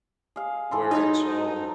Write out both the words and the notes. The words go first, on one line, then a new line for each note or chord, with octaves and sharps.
where it's, um
G#4 F5
E3 A4 C6
F#3 D#4